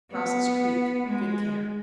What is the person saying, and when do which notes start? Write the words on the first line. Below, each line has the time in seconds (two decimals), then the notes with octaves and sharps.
Ross's Creek.--Good camp.
0.11 B3
1.07 G#3